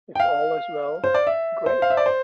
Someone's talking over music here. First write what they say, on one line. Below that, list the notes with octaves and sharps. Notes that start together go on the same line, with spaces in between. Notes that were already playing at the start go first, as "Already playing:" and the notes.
If all is well, great.
G5
F5
C5
D5
E5
C5
F5
E5
D5
C5